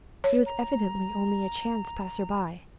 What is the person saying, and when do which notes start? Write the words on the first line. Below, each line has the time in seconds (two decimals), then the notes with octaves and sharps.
He was evidently only a chance passer-by.
0.24 C#5
0.46 A#5